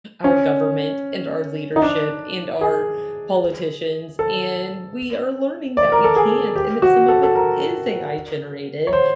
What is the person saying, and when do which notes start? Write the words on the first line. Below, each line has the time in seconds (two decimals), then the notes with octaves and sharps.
our government and our leadership and our politicians, and we are learning that we can't, and that some of it is AI generated,
0.24 C#4
1.76 D#4
1.82 D4
2.61 G#4
4.19 A4
5.77 D5
5.92 A#4
6.04 A4
6.16 G#4
6.56 G4
6.82 F#4
7.08 A4
7.23 A4
7.35 A#4
8.87 C#5
8.93 C5